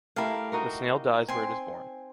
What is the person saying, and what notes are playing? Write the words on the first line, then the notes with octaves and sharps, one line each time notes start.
The snail dies where it is born.
A3 E4 G4 A#4 F5
D#4 F#4 A#4
C4 G#5 C6